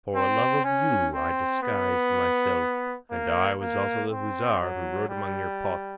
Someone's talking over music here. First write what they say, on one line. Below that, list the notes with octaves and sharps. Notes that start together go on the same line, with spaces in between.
For love of you I disguised myself; and I was also the Hussar who rode among your pots.
C4
C#4
C4
B3
A#3
A#3
C4
F#3
G3